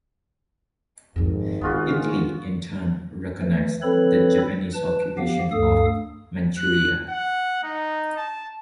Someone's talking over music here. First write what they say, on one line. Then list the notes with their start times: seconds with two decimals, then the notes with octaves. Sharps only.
Italy in turn recognized the Japanese occupation of Manchuria.
1.16 G#1 F2 G#2
1.61 D#3 B3 F4 F#4 G#4
3.42 E3 A3
3.82 F3 C4 A4 B4 C#5 B5
4.73 B4 A5
5.18 F3 B3 G4 F5
5.51 D2 G2 A4 F5 D#6
6.58 F#6
7.09 F#5
7.63 D#4
8.17 A5